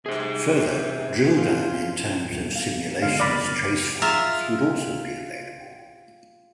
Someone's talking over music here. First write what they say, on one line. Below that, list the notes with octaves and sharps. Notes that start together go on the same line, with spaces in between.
Further, drill down in terms of simulations trace files would also be available.
C3 G#4 C5
F4
D#1
F5
B2 D3 G#3 F5
F#1 D5 B5 F6 A#6
F4 G#4 E5 A#5